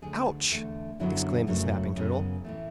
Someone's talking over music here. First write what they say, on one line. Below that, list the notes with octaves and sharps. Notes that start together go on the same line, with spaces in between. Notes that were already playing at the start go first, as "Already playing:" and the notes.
"Ouch!" exclaimed the Snapping Turtle.
D2 D3 G#3 G#4
E2 D3 A3
F#2 D3 F#3 B3 E4
F#2 C#3 F#3 A3
F#2 C#3 G#3 B3
A2 E3 A3